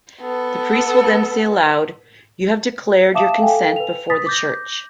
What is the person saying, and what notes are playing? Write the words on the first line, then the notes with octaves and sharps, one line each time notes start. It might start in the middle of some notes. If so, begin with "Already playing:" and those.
The priest will then say aloud You have declared your consent before the Church.
B3 A4
E5 F5 A5 D6 D#6 E7
A4 F5 G5 G#5
B4 F7
D#6 A6 B6
D6 G6 A#6